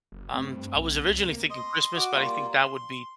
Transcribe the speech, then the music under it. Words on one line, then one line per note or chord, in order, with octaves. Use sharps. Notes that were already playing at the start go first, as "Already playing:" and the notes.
Um, I was originally thinking Christmas, but I think that would be
F#1
G2 A3 C4
B1
C2
A#3
D#5 C6
F#4 D6
G3 A#3 F4
C6